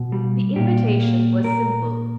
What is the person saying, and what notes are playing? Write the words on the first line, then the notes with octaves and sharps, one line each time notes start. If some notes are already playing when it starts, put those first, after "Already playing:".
The invitation was simple.
Already playing: B2
G3
A#2 G4
A#3
A#2 A#4